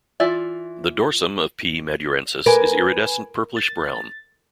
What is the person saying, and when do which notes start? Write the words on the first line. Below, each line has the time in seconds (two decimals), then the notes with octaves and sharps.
The dorsum of "P. madurensis" is iridescent purplish brown.
0.20 E3 F4 D5 E5
2.46 A#4 B4 G#5
3.57 A6